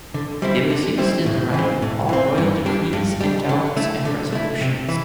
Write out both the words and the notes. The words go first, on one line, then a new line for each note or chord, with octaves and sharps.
It was used in the writing of all royal decrees, endowments, and resolutions.
D3
G3 C4 E4
D3
G3 C4 E4
A2
E3 C4
A2
E3 C4
G2
G3 D4
G2
G3 D4
D3
A3 E4
D3
A3 E4
C3
E3